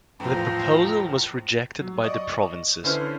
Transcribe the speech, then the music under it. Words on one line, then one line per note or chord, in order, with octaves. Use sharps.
The proposal was rejected by the provinces.
E2 A2 F3 C4 F4 A#5
F#3
D5 D#5 C#6 D#6
D3 C#4 E4 B4 C5 F6